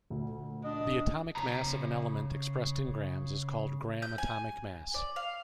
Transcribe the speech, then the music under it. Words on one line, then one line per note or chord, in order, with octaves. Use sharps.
The atomic mass of an element expressed in grams is called gram atomic mass.
D2 A#2
D4 D#5
C#3 A#5
G6
G#5
D5
F5